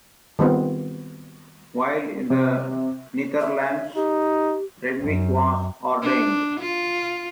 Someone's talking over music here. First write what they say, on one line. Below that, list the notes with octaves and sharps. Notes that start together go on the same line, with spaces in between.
While in the Netherlands Renwick was ordained.
D#3 G3 B3 C4 F4
C3
E5
D#4 G4
F#2
D4
F4